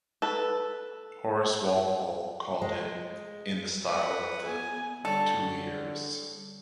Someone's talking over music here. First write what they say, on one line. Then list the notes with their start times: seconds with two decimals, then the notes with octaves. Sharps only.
Horace Walpole called it "in the style of the Tuileries".
0.22 A4 B4
2.61 G#3
3.88 B4 F#5
4.44 B3 G#5
5.05 D3 G3 A4 C#5